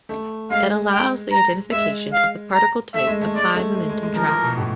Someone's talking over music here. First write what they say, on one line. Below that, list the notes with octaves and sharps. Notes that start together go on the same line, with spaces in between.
It allows the identification of the particle type of high-momentum tracks.
A3
G#3 F5
G5
A#5
G#3 E5
F5
A#5
A3 E5
G#3
A3
G#3 D5
A3
G#3
G#3
G#3
F3 A#4
E3
B2
A2